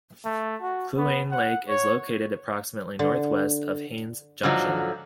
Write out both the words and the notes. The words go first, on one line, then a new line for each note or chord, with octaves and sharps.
Kluane Lake is located approximately northwest of Haines Junction.
A3
F#4
B3
F#5
C#5
D3
G#2 D3 F3 F#3